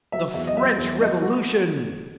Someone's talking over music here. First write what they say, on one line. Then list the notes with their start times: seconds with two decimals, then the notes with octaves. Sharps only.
"The French Revolution!"
0.12 F#3 E5
0.34 E2 E5
0.47 D#5
0.57 F#3 E5
0.78 E2
1.01 F#3 D#5
1.22 F#3 F#4